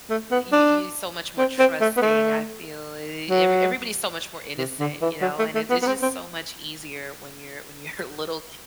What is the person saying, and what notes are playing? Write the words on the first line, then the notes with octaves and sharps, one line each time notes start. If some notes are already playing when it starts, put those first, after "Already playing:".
d y you you're so much more trusting, I feel. E every everybody's so much more innocent, you know, and it it's just so much easier when you're when you're a little
A3
B3
D4
C4
C4
A3
B3
A3
F#3
C3
D3
E3
F#3
A3
A3
B3
B3
C4
C4